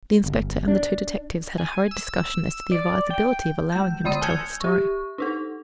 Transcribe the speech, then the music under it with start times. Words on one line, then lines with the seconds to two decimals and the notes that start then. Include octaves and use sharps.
The Inspector and the two detectives had a hurried discussion as to the advisability of allowing him to tell his story.
0.24 G1
0.68 D4
1.58 G#5
1.91 E6
2.71 D5
3.10 G5
3.72 G#3 G6
4.04 D3 G#3 D5 C6 D#6 D#7
4.21 G#5 A5 E6 G6 G#6 C#7
4.60 G4 C#6
5.18 D4 D#4 A4